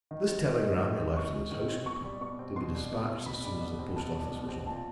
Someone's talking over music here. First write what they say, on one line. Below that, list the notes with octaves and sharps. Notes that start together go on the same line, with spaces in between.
This telegram he left with his housekeeper--to be dispatched as soon as the post-office was open.
D#3
C4
D#3
G#3
D#3
C4
D#3 C#6
G#3
D#3
C4
B2 C#6
G3
B2 C#6
C4
B2 C6
G3
B2
C4
B2 B5
G3
B2
C4
B2 A5
G3
B2
C4
A#2 A5